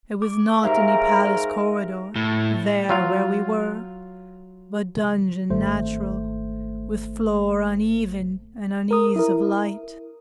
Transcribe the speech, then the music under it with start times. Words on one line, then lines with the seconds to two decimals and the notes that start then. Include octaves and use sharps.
It was not any palace corridor There where we were, but dungeon natural, With floor uneven and unease of light.
0.22 D6
0.63 G#2 G4 A#4 E5 F5
2.16 A2
2.89 F#3 F4 F5
5.50 G#1 A3 C5
8.91 A#4 D#6
9.16 E4 A#4